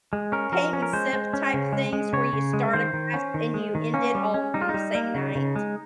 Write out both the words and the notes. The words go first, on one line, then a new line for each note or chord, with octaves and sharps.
paint and sip-type things where you start a class and you end it all in the same night,
G#3
C#4 A#4
F3 A#4
C#4
A#4
G#3 C5
G#3
C#4
C#3
G#3
G#3
C#3 C#5
C#3
G#3
D#3 C5
D#3
C#4
D#3
G#3
D#3
A#3 C#4
G3
C#4
G3 D#4
F4
D#4
G3
A#3
C#3
C#3
G#3